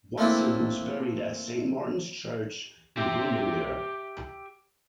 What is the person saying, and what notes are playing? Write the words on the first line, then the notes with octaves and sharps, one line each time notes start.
Watson was buried at Saint Martin's Church in Windermere.
A3 A#3 C4 D4 E4
G4 E5